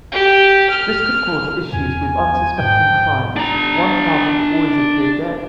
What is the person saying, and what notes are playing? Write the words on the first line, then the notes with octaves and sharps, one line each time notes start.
This could cause issues with unsuspecting clients, one path would always appear dead.
G4
F6
E2 G#5
G#2 F3 G5
D4 A#5